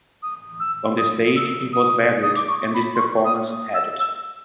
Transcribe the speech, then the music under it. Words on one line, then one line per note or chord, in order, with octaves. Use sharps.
On the stage, it was valued, and this performance had it.
D#6
E6
D#6
E6
D#6
D#6
D6
C#6
B5
C6
C#6
D#6
E6
E6